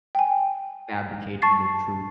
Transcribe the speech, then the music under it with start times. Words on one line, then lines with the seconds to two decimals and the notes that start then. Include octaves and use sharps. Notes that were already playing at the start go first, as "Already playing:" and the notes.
fabricating the truth
0.15 G5 G#5
1.42 A5 C#6 A6 C7